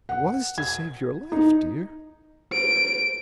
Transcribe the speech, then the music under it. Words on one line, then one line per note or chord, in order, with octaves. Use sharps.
"It was to save your life, dear."
F#5
G#6
D#4
D7